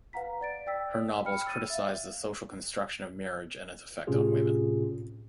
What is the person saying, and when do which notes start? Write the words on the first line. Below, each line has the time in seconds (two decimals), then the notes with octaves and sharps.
Her novels criticized the social construction of marriage and its effects on women.
0.13 B4 F5 F#5 A#5 B6
0.41 D5 A6 D7
0.66 D5 G5 E6 B6
1.25 G5 B5 F6 C#7
1.45 E6 A6 D#7
1.70 E5 F5
4.07 A2 C3 C#4 F4 G#4